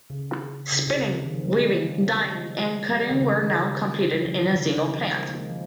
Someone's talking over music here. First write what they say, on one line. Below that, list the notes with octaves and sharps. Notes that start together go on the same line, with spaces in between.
Spinning, weaving, dying, and cutting were now completed in a single plant.
C#3
C#3
C3
C#3
D#3
D#3
F3
G3
G#3
A#3
G#3
G3
D#3
C#3
C#3
D#3
G#3
G3
F3
D#3
D#3
C#3
C#3
C#3
D#3
F3
G#3
A#3
G#3
F3